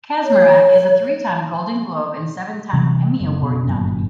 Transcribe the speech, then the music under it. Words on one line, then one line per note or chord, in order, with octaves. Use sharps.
Kaczmarek is a three-time Golden Globe and seven-time Emmy Award nominee.
C#5
C3 E3 G3 C4
F#1
B2
G1 F#2 A#2